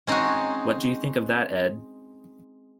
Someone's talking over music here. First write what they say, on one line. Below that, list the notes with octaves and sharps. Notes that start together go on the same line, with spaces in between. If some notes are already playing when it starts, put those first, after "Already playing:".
What do you think of that, Ed?
G#3 C4 C#4 D#4 F#4